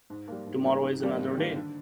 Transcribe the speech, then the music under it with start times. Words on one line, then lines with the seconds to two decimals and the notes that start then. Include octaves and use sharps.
Tomorrow is another day.
0.10 G#2
0.28 G3 A#3
0.46 G#2
0.64 G3 A#3
0.83 G#2
1.00 D#3 G3 A#3
1.19 G#2
1.37 D#3 G3 A#3
1.55 D3